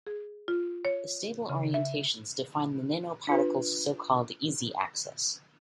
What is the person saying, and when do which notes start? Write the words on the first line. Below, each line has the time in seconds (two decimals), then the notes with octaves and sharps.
The stable orientations define the nanoparticle's so called "easy axis".
0.07 G#4
0.48 F4
0.85 C#5
1.49 C#3
1.74 E5
3.27 D4 F4 B4